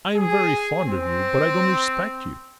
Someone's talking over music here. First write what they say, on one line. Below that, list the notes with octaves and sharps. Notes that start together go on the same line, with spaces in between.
I am very fond of you, but I don't respect you.
G#4
C4